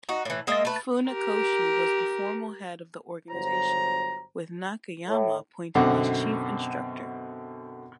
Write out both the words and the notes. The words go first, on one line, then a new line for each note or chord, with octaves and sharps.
Funakoshi was the formal head of the organization, with Nakayama appointed as Chief Instructor.
D#4 F#4
A2 E3
G#3 A#3 D#5 E5
A3 B4
G4 A#4
G1 F#3 C5 A#5
A2
F#2 B2 D3 C4 F#5 D6